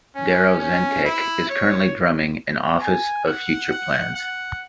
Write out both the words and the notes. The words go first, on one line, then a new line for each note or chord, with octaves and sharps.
Darren Zentek is currently drumming in Office of Future Plans.
C#4
C#4
E4
C#5
G#5
F#5
F#5
F#5